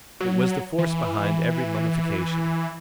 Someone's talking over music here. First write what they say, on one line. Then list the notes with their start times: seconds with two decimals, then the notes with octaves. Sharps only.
It was the force behind every mummification.
0.20 F#3
0.78 E3